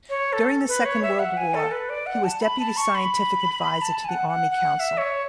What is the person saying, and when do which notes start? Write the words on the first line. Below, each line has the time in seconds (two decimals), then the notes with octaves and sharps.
During the Second World War he was Deputy Scientific Advisor to the Army Council.
0.09 C#5
0.33 A4
0.68 B4
0.85 C#5
1.03 E5
1.19 F#5
1.37 G#5
1.54 A4
1.72 B4
1.89 D5
2.06 F#5
2.24 A5
2.41 B5
2.59 A5
2.77 C#6
2.95 B5
3.82 A5
4.04 G#5
4.09 F#5
4.29 F#5
4.51 F#5
4.75 F#5
4.80 E5
4.98 C#5